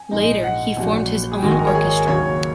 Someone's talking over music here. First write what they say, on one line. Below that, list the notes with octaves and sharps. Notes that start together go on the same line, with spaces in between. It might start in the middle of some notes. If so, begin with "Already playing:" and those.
Later, he formed his own orchestra.
Already playing: G#5
A#1 G#2 G#3 D#4
F#5
A#1 A#2 F#3
G#4
G#1 G#2 D#3 F#4
G#4
A#4
C#5
G#4
D#2 C#3 F#3 C#5